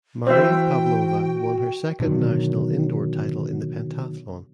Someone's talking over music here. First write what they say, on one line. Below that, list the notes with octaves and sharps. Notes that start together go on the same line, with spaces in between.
Maria Pavlova won her second national indoor title in the pentathlon.
E3 C4 F#4 C5 E5 G5
B2 D3 D#3 F#3